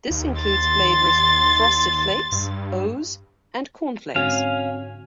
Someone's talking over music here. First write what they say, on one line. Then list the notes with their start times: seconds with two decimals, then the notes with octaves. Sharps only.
This includes flavors Frosted Flakes, O's, and Corn Flakes.
0.10 D#2
0.41 C6 A6
2.32 G2
4.16 G#2 D3 C4 C#4 F#4 F5 G#6